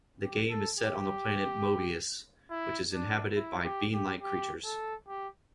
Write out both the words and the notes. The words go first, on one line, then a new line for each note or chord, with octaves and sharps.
The game is set on the planet Mobius, which is inhabited by bean-like creatures.
G4
A4
G4
E4
D4
E4
G4
G4
G4
A4
G4